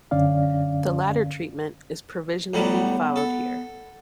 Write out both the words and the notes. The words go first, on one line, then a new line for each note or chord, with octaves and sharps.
The latter treatment is provisionally followed here.
F#2 D3 C#4 D5 F5
A2 F#3 G3 B3
A4